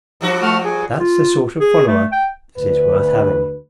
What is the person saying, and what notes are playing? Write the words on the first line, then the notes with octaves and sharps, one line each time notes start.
That's the sort of follower that is worth having!
G2 F3 F#4
A3 F#5 F6
G#4
F4
G#4
A3
G5
D2 B4